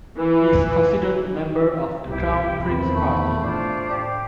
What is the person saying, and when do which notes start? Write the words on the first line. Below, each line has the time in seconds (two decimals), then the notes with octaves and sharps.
He is considered a member of the Crown Prince Party.
0.18 E3
2.07 C2 E4 G4
2.62 E2 D#3 C4 B5
2.95 A3
3.39 A2 D4 F4 C5
3.89 G4